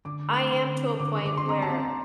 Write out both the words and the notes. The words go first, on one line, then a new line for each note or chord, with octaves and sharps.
I am to a point where
D3 D6
A3
D3
C4
D3 D6
D3 D6
C6
C4 A#5
A5
C4